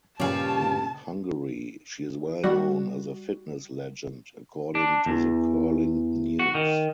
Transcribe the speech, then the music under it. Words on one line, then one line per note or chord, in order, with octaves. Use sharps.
In Hungary, she is well-known as a "fitness legend" according to The Curling News.
G2 A#2 C#3 G4 C#5 F5 G#5 A5
G3 F#4
D4
E2
F#4
D#3